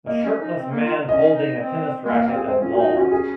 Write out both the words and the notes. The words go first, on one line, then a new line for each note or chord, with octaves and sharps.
A shirtless man holding a tennis racket and ball.
A#3 D#5
C#4
D#4
C4
A#3
F4
C#4 D#5
D#4
C4
G#3
A#3 F5
C4 F5
G#4
C4 C5
C#4 F4
F#4
D#4
F4
C#4 F#4
G#4